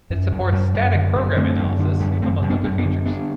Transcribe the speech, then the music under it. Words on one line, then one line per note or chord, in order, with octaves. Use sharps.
It supports static program analysis, among other features.
F#2
F#2
F#2
F#2
D3
F#2
D3 A3 C4
F#2
D3
F#2
B3
F#2 A3 C4
F#2
B3 D4
F#2
B3 D4
D3
D3 B3 D4